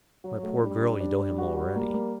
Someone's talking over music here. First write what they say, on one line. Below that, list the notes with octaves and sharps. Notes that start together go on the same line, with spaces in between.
"My poor girl, you know him already."
F#3 F#4
A3
G3 D4
D4
D4
D4
F#4
F#4
A#3
A#3